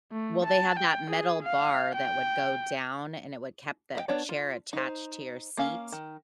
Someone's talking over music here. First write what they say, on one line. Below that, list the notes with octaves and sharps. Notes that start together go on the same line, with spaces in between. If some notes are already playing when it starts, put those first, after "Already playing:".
Well, they have that metal bar that would go down, and it would kept the chair attached to your seat?
A3
A5
G5
G#4
F5
G5
D#5 E5 G5
B3 D4 C#5 D5
F4
D#4 C5
A#3 C#4 F5
D#3